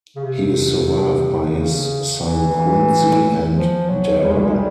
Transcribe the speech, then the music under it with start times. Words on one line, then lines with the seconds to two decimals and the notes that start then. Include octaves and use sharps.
He is survived by his son Quincy and Darrell.
0.16 C#3
0.23 C3
1.56 C#3
2.23 E3
3.56 F3
3.89 F#3
4.22 G3
4.30 G#3
4.37 G3
4.45 G#3
4.53 G3